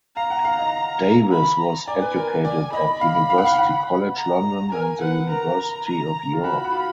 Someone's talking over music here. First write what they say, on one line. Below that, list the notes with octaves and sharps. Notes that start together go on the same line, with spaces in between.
Davies was educated at University College London and the University of York.
F5 A#5
F#5
F5
D#5
B5
A#5
D5 G#5
B4
A#4
D5 G#5
D#5 B5
F5
F5
F#5
F5
F#5
A#5
A#4 G#5
B4 F#5
A#4 A#5
F4
F#4 B5
F#4
F4